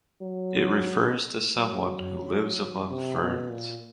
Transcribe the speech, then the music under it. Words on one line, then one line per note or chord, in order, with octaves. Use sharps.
It refers to someone who lives among ferns.
F#3
F#3
C3
B2
A#2